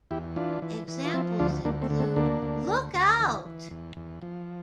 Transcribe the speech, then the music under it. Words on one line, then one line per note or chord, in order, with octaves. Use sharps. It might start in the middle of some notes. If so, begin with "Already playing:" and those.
Examples include: Look out!
E2 E4 G4
E3 D4 F4
E3
E3
F4
F3 C4 E4
D2 D4 F4
D2 A#3 D4
A3 C4
D3
A3 C4
D2 A#3 D4
D2
D2
D2
E3
E3
E2
E2
F3